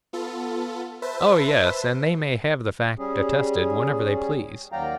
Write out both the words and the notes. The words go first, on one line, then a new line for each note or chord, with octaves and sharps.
"Oh, yes; and they may have the fact attested whenever they please."
B3 F4 A4
B4 C5 E5 A5
G3 C#4 G#4
D#2 F#3 D5 F5 G5 A#5